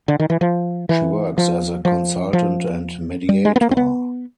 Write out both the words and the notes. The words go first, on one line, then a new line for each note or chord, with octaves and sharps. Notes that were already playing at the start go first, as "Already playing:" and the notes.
She works as a consultant and mediator.
D3
D#3
E3
F3
E3
F3
F3
F3
G3
G#3
B3
A#3
C4
B3